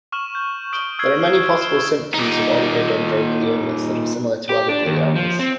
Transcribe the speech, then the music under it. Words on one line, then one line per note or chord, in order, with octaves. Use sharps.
There are many possible symptoms of oligodendrogliomas that are similar to other gliomas.
C#6 F6 E7 F#7
G6
D#6 G6 D7 E7 F#7 G7
E6 F6 G#6 C7 D7
D#6 E7 G7
A#2 D#4
G4
D4
D#2
F3
C4